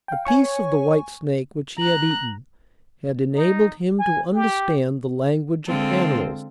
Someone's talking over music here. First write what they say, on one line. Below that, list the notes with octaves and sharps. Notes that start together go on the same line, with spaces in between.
The piece of the white snake which he had eaten had enabled him to understand the language of animals.
F5 G5
C#5 G#5 C#6
A#5 F#6 F#7
D#4
G#5
G4
D3 G#3 C4 F4 A4